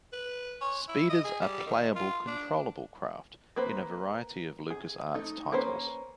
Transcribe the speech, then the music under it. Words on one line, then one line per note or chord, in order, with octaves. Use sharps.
Speeders are playable-controllable craft in a variety of LucasArts titles.
B4
C#5
E4
D#5
G#4
G3
D#3
F4
D4
A#3 B4 C5
G#4
A3 D#4
A#3 C#4 B4 C5